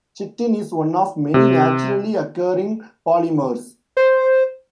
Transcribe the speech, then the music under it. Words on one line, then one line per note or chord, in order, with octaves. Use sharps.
Chitin is one of many naturally occurring polymers.
C3
C5